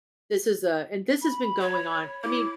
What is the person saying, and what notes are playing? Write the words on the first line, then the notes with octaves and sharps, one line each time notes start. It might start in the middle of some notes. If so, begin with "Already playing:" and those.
this is a and this has been going on I mean,
B5
C#5
E4 D6